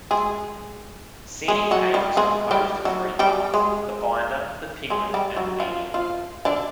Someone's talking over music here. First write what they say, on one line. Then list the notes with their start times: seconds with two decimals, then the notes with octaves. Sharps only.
Scenic paint is composed of three parts: the binder, the pigment and the medium.
0.11 G#3 G#4
1.48 G#3 G#4
1.71 F#3 F#4
1.94 G3 G4
2.17 G#3 G#4
2.51 G3 G4
2.85 F#3 F#4
3.19 G3 G4
3.54 G#3 G#4
4.90 G#3 G#4
5.14 G3 G4
5.36 F#3 F#4
5.60 F3 F4
5.94 F3 F4
6.45 D3 D4